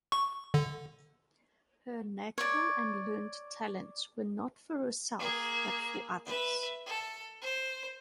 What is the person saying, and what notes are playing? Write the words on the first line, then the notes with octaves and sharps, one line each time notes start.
Her natural and learned talents were not for herself but for others.
C#6
D3
C#5 D5
A#3 G#4
B4 E5
A4
C5